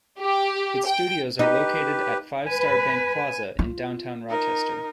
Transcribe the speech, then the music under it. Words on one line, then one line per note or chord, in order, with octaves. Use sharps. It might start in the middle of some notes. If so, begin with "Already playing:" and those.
Its studios are located at Five Star Bank Plaza in downtown Rochester.
G4
G5
D#4 G4 B4
B4 G#5
F4
D#4 A#4